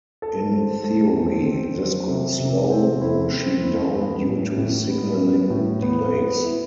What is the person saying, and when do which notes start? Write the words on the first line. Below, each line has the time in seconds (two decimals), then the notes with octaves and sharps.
In theory, this could slow the machine down due to signalling delays.
0.22 A4
0.53 C5
0.84 A4
1.15 C5
1.47 C4
1.78 F#3
2.09 C3
2.40 C3
2.71 C4
3.01 E4
3.32 C4
3.64 E4
3.95 B3
4.26 A2
4.57 A2
4.89 B3
5.20 B3
5.50 A2
5.82 B3
6.13 B3
6.43 E4